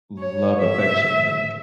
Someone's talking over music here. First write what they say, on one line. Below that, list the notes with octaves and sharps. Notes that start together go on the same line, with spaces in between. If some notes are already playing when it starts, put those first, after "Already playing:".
love affection, like
C#5
E5